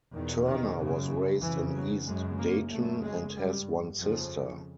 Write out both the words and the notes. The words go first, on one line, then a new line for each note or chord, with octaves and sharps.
Turner was raised in East Dayton and has one sister.
E2 B2 D#3
D#3
F#2 C#3
F2 C#3 E3
F#3
F#2 C#3 G#3
A#3
F#2 C#3 A3
G#3
G2 G3
F2 C#3 F3